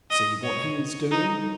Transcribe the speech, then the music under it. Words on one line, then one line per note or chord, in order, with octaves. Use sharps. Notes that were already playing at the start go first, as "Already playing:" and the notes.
See what he is doing.
D#5
C#5
D#4